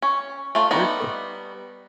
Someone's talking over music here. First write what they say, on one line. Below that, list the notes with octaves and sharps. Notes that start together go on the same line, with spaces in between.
Very cool.
C#4
A3 F4
G3 B3 D#4